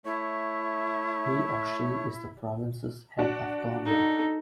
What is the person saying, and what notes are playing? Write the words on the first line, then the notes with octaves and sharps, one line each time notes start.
He or she is the province's head of government.
A3 E4 C#5
D4 F#4
D#4 A4